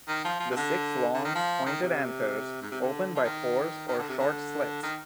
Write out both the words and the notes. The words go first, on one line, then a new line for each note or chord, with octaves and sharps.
The six long, pointed anthers open by pores or short slits.
D#3
F3
F3
C3
D3
D3
D#3
F3
D#3
C3
G#2
C3
D3
F3
D#3
D#3
D3
C3
D3
D#3